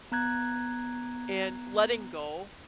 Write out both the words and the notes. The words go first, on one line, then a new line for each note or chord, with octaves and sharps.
and letting go
B3 A#5 F#6 G#6